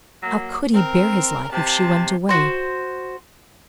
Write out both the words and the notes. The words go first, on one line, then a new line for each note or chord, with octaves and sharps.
How could he bear his life if she went away?
F#3 A#3
C4 A#4
C3 C5 A5
F#4 C5